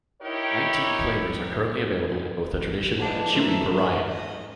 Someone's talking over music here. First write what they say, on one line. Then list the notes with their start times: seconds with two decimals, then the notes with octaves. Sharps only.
Nineteen flavors are currently available in both the Traditional and Chewy variety.
0.22 D#4 E4 G4 A#4 C#5
2.99 E3 F3 G#3 B3 D4
3.35 A3 A#4 C5 E5
3.77 G#2 E5 B5
4.08 D#5